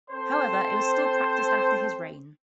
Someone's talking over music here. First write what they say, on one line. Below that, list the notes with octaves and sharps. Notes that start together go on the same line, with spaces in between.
However, it was still practiced after his reign.
C4 A4 C5